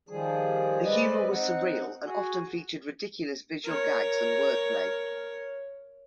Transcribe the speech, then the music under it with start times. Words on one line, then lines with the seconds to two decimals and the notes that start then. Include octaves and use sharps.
The humour was surreal and often featured ridiculous visual gags and wordplay.
0.09 D#3 F3 G3 G#4
0.84 G#3 C4 B4 D5 D#5
1.30 C4 D#4 F#5
2.03 F#4 G#4
3.64 A#4 C#5